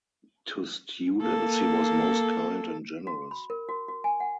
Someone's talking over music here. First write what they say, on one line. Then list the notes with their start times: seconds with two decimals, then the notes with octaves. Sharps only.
To students he was most kind and generous.
1.22 A#3 A4
3.07 F#4
3.31 B5
3.50 A#4
3.69 F#4
3.88 F#4
4.04 G#5
4.20 F#5